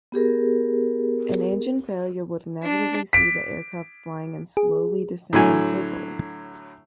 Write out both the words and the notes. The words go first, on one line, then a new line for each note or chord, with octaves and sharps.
An engine failure would inevitably see the aircraft flying in slowly descending circles.
B3 G4 G#4 A#4
D4
B6 D7
G#4
A2 D3 F#3 G#5